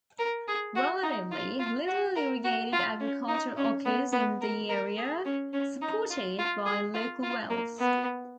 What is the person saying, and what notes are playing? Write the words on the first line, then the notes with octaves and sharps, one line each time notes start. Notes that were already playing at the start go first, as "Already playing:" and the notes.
Relatively little irrigated agriculture occurs in the area, supported by local wells.
A#4
G#4
F#4
D#4
F4
F4
F#4
A#4
F#4
F4
C#4
D#4
C#4
B3
B3
A#4
A#4
G#4
C#4
C#4
D#4
F4
F4
G#4
F4
F4
A#3
B3